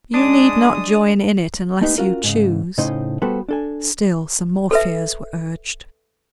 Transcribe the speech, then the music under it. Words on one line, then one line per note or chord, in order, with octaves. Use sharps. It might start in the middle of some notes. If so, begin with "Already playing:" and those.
You need not join in it unless you choose.' Still some more fears were urged.
G#3 D4 D#6
A3 A#3 D#4 G4 B4
C#4 F4 F#4 A#4
G#2 C#3
A2 C#3 C#4 D#4 C5 D#5
G3 B3 F#4 A4 B4 C5
D4 A4 G#5
A4 B4 E5